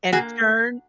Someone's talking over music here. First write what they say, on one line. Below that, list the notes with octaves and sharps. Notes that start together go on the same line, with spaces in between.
and turn
A#3 F#4 G#4